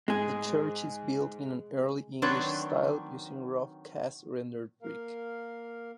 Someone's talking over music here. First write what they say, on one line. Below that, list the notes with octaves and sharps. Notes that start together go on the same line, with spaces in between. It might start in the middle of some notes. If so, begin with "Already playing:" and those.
The church is built in an Early English style using roughcast rendered brick.
G#2 G#3 G#4
D#3 F#3 C4 D4 B4 C#5
A#3 A#4 F5